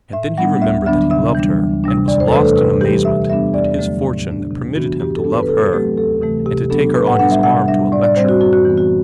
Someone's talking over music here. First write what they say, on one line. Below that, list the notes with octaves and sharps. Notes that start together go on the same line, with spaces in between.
And then he remembered that he loved her and was lost in amazement at his fortune that permitted him to love her and to take her on his arm to a lecture.
A2 E5
G3 B3 D4 F#5
D2 E5
D3 F#3 B3 D4 E5
C3 E5
E3 G3 D4
D2
C3 G3 D4
E2 D5
C5
A4
C3 E3 A3 D4 B4
A4
C3 B4
E3 G3 G4
G4
C3 E5
G3 B3 D4 E5
E2 D5
D3 F#3 A3
A2
G3 D4
C3
E3 B3 D4 F#4
G2 G4
A4
E3 B3 D4
B4
B4
C3 A4
F#3 A3 C4 G4
D2 A4
C3 E3 A3
C3 G4
F#3 B3 D4 A4
A2 B4
F#5
G3 B3 D4 F#5
E5
C3 F#5
G3 D4 E5
A2 D5
D5
G3 C4 C5
F#4
F#2 F#4
F#4
E3 B3
F#4